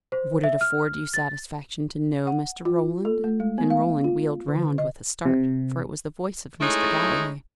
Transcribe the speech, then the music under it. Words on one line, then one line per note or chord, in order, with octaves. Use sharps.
"Would it afford you satisfaction to know, Mr. Roland?" and Roland wheeled round with a start, for it was the voice of Mr. Galloway.
C5
E5
F6
A6
F#5
F4
A4
A3
G#3
B3
F5
F4
D3
D#5
C3
G#3 A3 C#4 D#4 E4 G#4